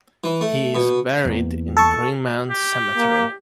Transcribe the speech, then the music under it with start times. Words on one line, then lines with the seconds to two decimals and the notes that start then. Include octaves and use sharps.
He is buried in Greenmount Cemetery.
0.24 E3
0.41 A3
0.75 B2
1.25 E2 A#3
1.77 A4 A5 C#6
2.50 G4
2.97 A#3